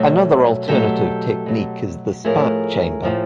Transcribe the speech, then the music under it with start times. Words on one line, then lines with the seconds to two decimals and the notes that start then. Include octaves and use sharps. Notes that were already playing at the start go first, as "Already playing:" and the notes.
Another alternative technique is the spark chamber.
Already playing: B2 F#3 A3
0.68 B2 F#3 A3 G4 A4
1.46 B2 F#3 A3
2.24 A2 F3 A3 G#4 A#4
3.03 A2 F3 A3